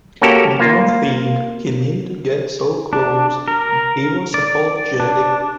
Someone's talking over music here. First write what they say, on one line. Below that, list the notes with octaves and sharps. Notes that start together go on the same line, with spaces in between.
I don't think he meant to get so close and he was apologetic.
A#3 C#4 F#4 G4 A4 A#4
A#3 F4
D4
A#4
D5
D4